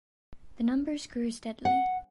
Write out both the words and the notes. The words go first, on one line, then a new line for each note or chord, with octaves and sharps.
The numbers grew steadily.
F#5